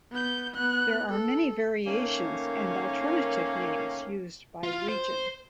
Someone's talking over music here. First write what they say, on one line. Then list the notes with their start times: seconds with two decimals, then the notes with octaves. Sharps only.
There are many variations and alternative names used by region.
0.11 B3 G6
0.55 B3 F#6
1.09 A4
1.87 D#3 A3 A#3 C#4
4.63 F4
4.89 C5